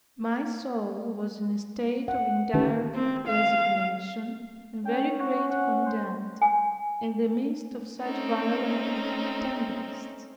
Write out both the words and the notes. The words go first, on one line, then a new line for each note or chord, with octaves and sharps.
My soul was in a state of entire resignation and very great content, in the midst of such violent tempests.
F#5
D#3 C#4 D#4 G4 B4
C4
F5
C#4 G5
F#4
F#5
C5
G#5
A3 C4 C#4 D#4